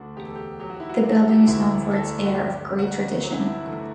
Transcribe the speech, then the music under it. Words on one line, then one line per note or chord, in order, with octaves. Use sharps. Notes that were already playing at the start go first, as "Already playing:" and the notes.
The building is known for its air of great tradition.
Already playing: D2 A3 D4 F#4
E1 G4
A4
G4
F#3 G4
F#4
E4
F#4
F#3 D4
A4
G4
F#4
D2 E4
A3 A4
F#4
G2 G4
G1 F#4
F#3 F#4
E4
D4
E4
A3